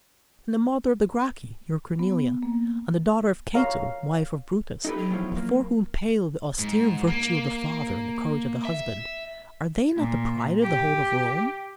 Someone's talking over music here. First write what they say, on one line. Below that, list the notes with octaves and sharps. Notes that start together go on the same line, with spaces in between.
And the mother of the Gracchi, your Cornelia, and the daughter of Cato, wife of Brutus, before whom pale the austere virtue of the father and the courage of the husband--are they not the pride of the whole of Rome?
B3
A#3
C#5 F5 A#5
D#4 G4 A4 B4
F#3
E2 A2 F3
A#3
G#2
A#3
E5
A#2
G4